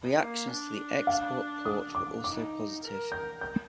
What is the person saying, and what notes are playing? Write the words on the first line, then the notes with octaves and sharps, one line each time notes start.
Reactions to the Xbox port were also positive.
A#3
D4
F5
D#6
D6
D#4 D6
A#4
G6
G6